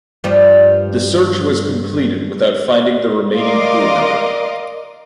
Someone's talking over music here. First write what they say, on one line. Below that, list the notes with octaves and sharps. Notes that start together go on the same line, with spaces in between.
The search was completed without finding the remaining crew member.
G2 F3 G3
A#4 D5 D#5 F5 C6 D6